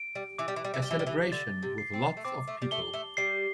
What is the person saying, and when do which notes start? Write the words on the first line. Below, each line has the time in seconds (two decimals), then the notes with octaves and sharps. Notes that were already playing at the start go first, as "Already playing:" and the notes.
A celebration with lots of people.
Already playing: D7
0.15 G3
0.38 E3 D6
0.48 G3
0.56 E3
0.64 G3
0.74 E3
0.82 G3
0.86 E3 G7
0.99 G3
1.07 E3
1.32 D3 A6
1.63 C3
1.78 C7
1.94 C4
2.17 A3
2.25 C4 D6
2.48 A3
2.62 G3
2.71 A3 G7
2.94 A3
3.17 G3 C7